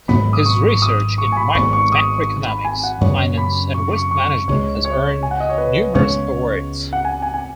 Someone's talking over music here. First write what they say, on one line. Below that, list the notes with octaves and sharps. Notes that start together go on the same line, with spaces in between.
His research in macroeconomics, finance, and risk management has earned numerous awards.
G#1 G#2 F#3 B3 B5
D#6
C#6
C#6
D#6
C#6
G#5
B5
G#1 G#2 D#3 B3 C#6
C#6
D#6
B5
G#5
F#5
F#2 C#3 B3 C#5
B5
C#6
C#6
C#6
C#2 C#3 G#3 C#5
C#5
G#5
F#5
D#5
C#5
B4
C#2 C#3 G#3 B3 C#5
F#5
G#5
G#5
G#5